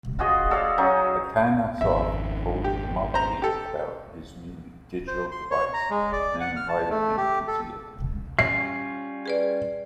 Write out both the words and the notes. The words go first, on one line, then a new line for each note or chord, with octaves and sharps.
Atanasoff told Mauchly about his new digital device and invited him to see it.
F4 F#4 G#4 D#5
F#4 A4 D5 F5
F#3 C#4 D#4
G#1 F2 E5
G4
C5 A#5
G4 A4
C5
C6
C#5
A#5
G#3
D5
F#5
F6
A5
A3
G4
A4
G3 C#4 F4 C7
G#4 B4 D5